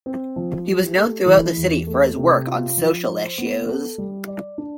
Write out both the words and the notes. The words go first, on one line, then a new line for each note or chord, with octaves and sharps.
He was known throughout the city for his work on social issues.
C4
F3
G4
A3
E3
E2
A3
C3
F4
F3
C5
B3
A4
G3
D5
D4